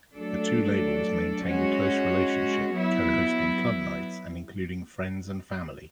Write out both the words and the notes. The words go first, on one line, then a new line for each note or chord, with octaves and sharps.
The two labels maintained a close relationship, co-hosting club nights including "Friends and Family".
F#3 A3 D4 A4 D5
G#3 C#4 F#4 C#5
F#3 B3 E4